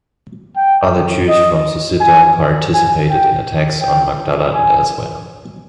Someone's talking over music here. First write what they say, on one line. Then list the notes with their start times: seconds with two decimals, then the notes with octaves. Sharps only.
Other Jews from Sussita participated in attacks on Magdala and elsewhere.
0.57 G5
1.29 D#5
2.01 G#5
2.74 G#5
3.10 G5
3.82 G5
4.54 G#5